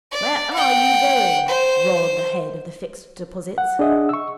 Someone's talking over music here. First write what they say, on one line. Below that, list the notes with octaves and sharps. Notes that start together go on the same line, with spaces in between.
'Where are you going,' roared the head of the Fixed Deposits.
D5
F#5 G5
C5
F#5
D4 G#4 D#5 E5 F#5
C#6 E6